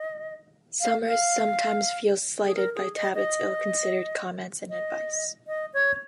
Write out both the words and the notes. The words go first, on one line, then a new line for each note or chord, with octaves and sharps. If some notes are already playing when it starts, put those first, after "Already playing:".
Summers sometimes feels slighted by Talbot's ill-considered comments and advice.
Already playing: D#5
F5
F5
G#4
A#4
G#4
D#5
D#5
D#5
D#5
C#5